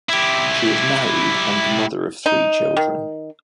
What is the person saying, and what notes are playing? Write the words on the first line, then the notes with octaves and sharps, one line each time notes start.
She is married and the mother of three children.
E4 G4
D#4
D#3